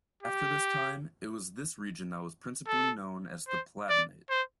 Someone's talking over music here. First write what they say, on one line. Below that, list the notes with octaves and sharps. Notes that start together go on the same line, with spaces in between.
After this time, it was this region that was principally known as the Palatinate.
G4
A4
C5
D5
C5